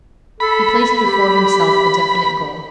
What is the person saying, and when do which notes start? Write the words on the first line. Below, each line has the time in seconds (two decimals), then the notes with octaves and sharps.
He placed before himself a definite goal.
0.40 A4 B5
1.05 G4